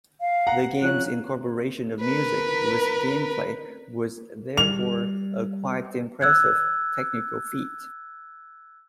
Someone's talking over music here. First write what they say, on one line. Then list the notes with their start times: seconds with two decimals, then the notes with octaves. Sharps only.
The game's incorporation of music with gameplay was therefore a quite impressive technical feat.
0.21 F5
0.47 F#5 A#5
0.82 F3 C#4 F#6
2.00 A#4 B4
4.57 G3 F7
6.21 E6 F#6 G#6